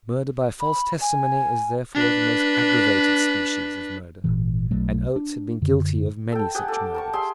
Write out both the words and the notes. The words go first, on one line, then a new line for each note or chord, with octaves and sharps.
Murder by false testimony is therefore the most aggravated species of murder; and Oates had been guilty of many such murders.
B5
G#5
D4 B4
G#1 A#2 E3
B1 F#3 A3
D4
F#2 D3
A4 G5
G4 G#4 F#5 G#5
A4 D6
A#4 A5 C#6
G4 G#4 E5 C6